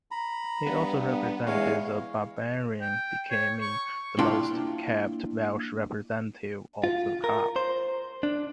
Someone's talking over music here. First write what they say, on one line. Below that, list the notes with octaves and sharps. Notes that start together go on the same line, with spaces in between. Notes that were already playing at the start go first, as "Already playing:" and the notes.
He also represented the Barbarians becoming the most capped Welsh representative of the club.
A#5 B5
G2 B3
E2 G#3 C#5 F5
G5
C#5
C#6
A#3 D4 E4 F4 G5 C6
F4
A#4
C5
D4